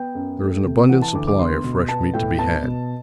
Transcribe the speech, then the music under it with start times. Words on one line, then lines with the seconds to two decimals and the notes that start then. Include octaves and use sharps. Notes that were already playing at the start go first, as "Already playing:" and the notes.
There was an abundant supply of fresh meat to be had.
Already playing: B3 G5
0.15 F#2
0.40 A3
0.65 C3
0.89 E3 F#5
1.02 A5
1.14 D2 D6
1.27 D6
1.39 B3 C6
1.64 B2
1.89 B3 A5
2.14 A2 G5
2.39 B3 A5
2.64 B2